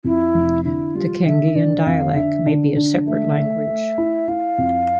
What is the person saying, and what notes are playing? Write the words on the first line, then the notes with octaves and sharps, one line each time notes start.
The Kangean dialect may be a separate language.
F2 E4
F1
D3 E4
G3 F4
D3 E5
D3 D5
F2 F5
D3 E5
D3
D3
A3 E5
A3
A3
E4
E4 F5
F2